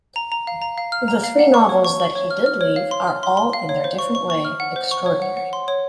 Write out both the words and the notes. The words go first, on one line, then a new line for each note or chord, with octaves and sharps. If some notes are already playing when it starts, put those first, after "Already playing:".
The three novels that he did leave are all in their different way extraordinary.
A#5
A#5
F5
A#5
F5
F6
A#5
F5
F#5
C#6
C#5
C#6
C#6
C#5
F6
F6
C#5
F5
C6
F6
C6
C6
F5
C#5
C5
C#6
C#6
C#6
F6
F#5
C5
C#6
C#5
F#5
F#5
C6
C#5